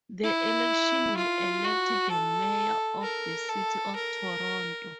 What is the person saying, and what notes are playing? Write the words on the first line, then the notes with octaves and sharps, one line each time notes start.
The election will elect the mayor of the City of Toronto.
E4
F4
F#4
A4
A#4
A4
A#4